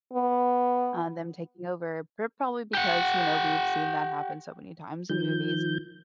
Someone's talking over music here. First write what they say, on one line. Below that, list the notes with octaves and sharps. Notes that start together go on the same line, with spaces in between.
um, them taking over, pro probably because, you know, we've seen that happen so many times in movies.
B3
G4 F#5
D#3 F3 G6